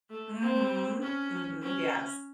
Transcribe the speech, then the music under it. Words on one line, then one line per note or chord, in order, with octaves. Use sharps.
Mhm. Mhm. Yes.
A3
C4
C#4
C#4